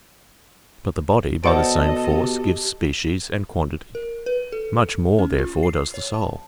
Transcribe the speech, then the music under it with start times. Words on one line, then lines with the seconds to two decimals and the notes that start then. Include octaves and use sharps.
But the body by the same force gives species and quantity; much more, therefore, does the soul.
1.44 B2 A4 C5 D5 D#5 F#5 D7
2.10 G4
3.95 A#4
4.26 B4
4.52 A4
5.19 C#4
5.39 F4
5.63 C7
5.94 C#5
6.14 A5